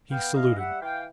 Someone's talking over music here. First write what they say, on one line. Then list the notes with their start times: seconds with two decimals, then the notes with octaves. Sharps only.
He saluted.
0.11 B3 F5 G5
0.34 E3 D#5 F5
0.57 G3 E5 F#5
0.81 E3 F5 G5